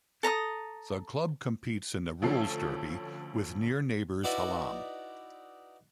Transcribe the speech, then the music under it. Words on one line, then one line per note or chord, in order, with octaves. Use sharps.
The club competes in the Rules derby with near neighbours Hallam.
A4 A#5 B5 D#6
D2 F3 C#4 A4 C7
D#4 E4 F#4 B4 D5